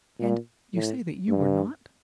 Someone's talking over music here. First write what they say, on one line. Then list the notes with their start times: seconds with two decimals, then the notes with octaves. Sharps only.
"And--you say that you were not?"
0.20 A#2
0.74 A2
1.29 G2